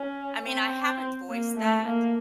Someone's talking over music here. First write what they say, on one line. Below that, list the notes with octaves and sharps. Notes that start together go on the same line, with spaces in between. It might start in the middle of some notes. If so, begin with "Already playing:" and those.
I mean, I haven't voiced that,
Already playing: C#4
C4
A#3
A3
A#3